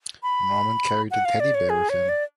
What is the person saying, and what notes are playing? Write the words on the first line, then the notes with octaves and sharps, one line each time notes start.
Norman carried a teddy bear with him.
B5
F#5
F5
D5
C#5
G#4
C#5
D5